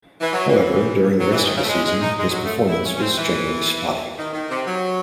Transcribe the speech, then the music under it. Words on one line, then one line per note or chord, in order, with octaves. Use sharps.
However, during the rest of the season, his performance was generally spotty.
E3
F#3
E3
F#3
E3
D#3
C#3
A3
G#3
G#3
D#4
G#3
F#3
A3
E4
C#4
C#4
C4
E3
D#3
D#3
C3
F#3